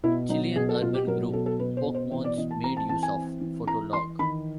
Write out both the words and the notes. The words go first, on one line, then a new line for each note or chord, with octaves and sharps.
Chilean urban group pokemones made use of Fotolog.
B2 E4
F#3 D#4
B2 G#4
A4
B2 F4
G4
F#3 A#4
B2 A4
A4
B2 B4
C5
B2
C5
E3 C5
D5
E3 D#5
A5
C4 A#5
A5
E3 A5
G#5
C4
E3
E3 A#5
E3 C6
D#3 B5